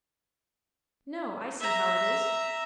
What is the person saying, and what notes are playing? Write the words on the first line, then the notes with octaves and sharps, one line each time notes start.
No; I see how it is.
E5 A#5